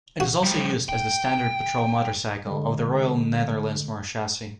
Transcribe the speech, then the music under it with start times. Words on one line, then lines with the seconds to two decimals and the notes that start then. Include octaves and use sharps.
It is also used as the standard patrol motorcycle of the Royal Netherlands Marechaussee.
0.20 F#4
0.43 F3 G3
0.89 G5
2.47 D3 G#3